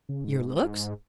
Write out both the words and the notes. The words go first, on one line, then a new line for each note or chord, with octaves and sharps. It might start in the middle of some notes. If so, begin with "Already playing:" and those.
"Your looks?"
C#3
G#2